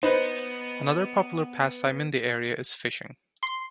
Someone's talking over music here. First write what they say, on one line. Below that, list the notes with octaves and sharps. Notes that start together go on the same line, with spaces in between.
Another popular pastime in the area is fishing.
B3 D#4 B4 C5
C6